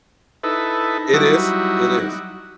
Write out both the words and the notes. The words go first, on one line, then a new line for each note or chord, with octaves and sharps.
It is, it is.
D#4 E4 A4 B4
F#3 G3 D#4 E4 F#4